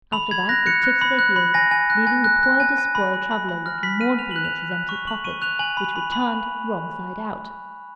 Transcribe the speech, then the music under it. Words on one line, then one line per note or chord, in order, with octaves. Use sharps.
After that they took to their heels, leaving the poor despoiled traveller looking mournfully at his empty pockets, which were turned wrong side out.
B5 F7
B5 G#6
F#6 A#6
F#6 C#7
F#6
B5
F#6
B5
G#5 A#6
G#5
F#6
G#5
F#6
F#6
G#5
G#5
B5
B5
B5
B5
F6 A#6
B5 B6
F6 D#7
F6 F7
F#6 F#7
F7
F#6
F#6
C#6
C#6 F#7
C#6 D#7
F#6 F7
G#5 F#7
B5
B5
B5